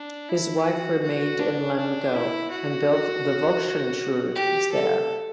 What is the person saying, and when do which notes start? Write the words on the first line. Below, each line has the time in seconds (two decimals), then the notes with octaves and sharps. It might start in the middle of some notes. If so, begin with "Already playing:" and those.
His wife remained in Lemgo and built the Volkshochschule there.
Already playing: D4
0.29 E4
0.66 F#4
1.03 F#4
1.40 D4
1.78 D4
2.14 E4
2.51 F#4
4.35 G4
4.72 A4